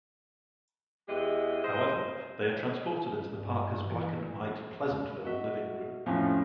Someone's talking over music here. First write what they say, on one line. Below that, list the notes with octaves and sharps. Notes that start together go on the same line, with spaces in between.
However, they are transported into the Parkers' black and white "Pleasantville" living room.
E2 E3 G#3 G4 D#5
C5 D#5
G2
E3
F#4 D#5 E5
F2 A2 F3 C#4